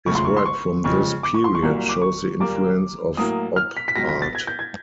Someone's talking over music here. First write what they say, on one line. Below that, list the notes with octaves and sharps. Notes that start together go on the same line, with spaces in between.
His work from this period shows the influence of Op Art.
C#2 C#3 F3 A3 C#6
C6
C#6
C6
C#6
F2 C#3 F3 G#3 C#6
D6
C#6
C6
C#6
C2 A#2 F#3 A#3
D6
C#6
A#2 G3 A#3 D6
A2 F#3 A#3 D#6
F6
B6
B6
C#2 B2 F#3 A#6
A#6
A6
G#6
G6
G#6